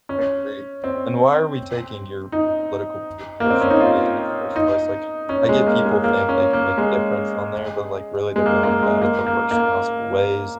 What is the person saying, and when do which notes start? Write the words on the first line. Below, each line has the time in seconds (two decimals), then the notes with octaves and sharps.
I agree, and why are we taking your political view to social media in the first place? Like, I get people think they can make a difference on there, but, like, really, they're going about it the worst possible ways,
0.09 C#4
0.84 C4
2.32 D#4
3.40 A#3
3.50 C4
3.61 C#4
3.70 D#4
3.80 F4
4.56 D#4
5.29 C#4
5.49 G#3
5.67 A#3
5.86 G#3
6.04 A#3
6.29 C#4
6.53 A#3
6.78 G#3
8.36 G#3
8.46 A#3
8.63 A#3
8.83 G#3
9.01 A#3
9.27 A#3
9.51 A#3